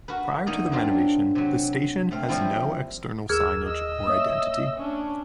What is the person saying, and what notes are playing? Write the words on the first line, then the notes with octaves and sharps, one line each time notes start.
Prior to the renovation, the station has no external signage or identity.
F#4 A#4 B4
E2 A#3 D#4 D5
F#3 A#3 C4 D4 F4
C3 F#3
A3 C4 F5
F3 G3 A#3 C4 E4 F4
D#2 G#4 A#4 E6 F6 G#6
D#5 E6
A#3 C#5 E5 D#6
C#4 D4